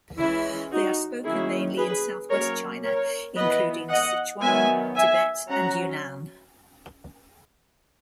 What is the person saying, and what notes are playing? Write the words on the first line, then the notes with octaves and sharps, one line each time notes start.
They are spoken mainly in Southwest China, including Sichuan, Tibet and Yunnan.
E3 G#3 C#4 E4
D#4 F#4
D#3 F#3 A#3 C#4 E4 G#4
G#4 B4
F#3 A#3 C#4 A#4 C#5
A#4 C#5
E3 B3 B4 D#5
D#5 F#5
D#3 F#3 B3 E5 G#5
E5 G#5
F#3 C#4 F#5 A#5